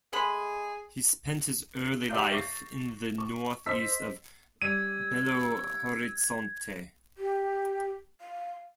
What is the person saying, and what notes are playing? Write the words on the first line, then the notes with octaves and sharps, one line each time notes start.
He spent his early life in the northeast of Belo Horizonte.
G#3 A3 G#4 B5
G4 D5 E5 F5 G6
C#6 A6 A#6 C7
C#6
C5 D#5 E6 B6
G3 C#4 D5 E6 G#6 D#7
G4
F5